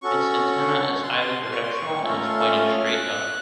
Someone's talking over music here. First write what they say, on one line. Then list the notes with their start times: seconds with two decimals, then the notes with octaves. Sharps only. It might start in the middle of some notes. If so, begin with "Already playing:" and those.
Its antenna is highly directional, and is pointed straight up.
0.02 C#4 F#4 A4 C#6
0.95 C#6
1.03 C6
1.52 C#6
1.63 C6
1.74 C#6
2.02 A3 C#4 F4 A4
2.10 A#5
2.24 C6
2.38 C#6
2.52 D#6
2.68 F6
2.85 F#6